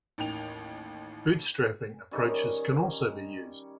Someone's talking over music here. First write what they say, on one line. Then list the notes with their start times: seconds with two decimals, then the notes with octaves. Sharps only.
Bootstrapping approaches can also be used.
0.18 A1 D#2 D#3 G5 F7
2.11 D#3 G3 C#4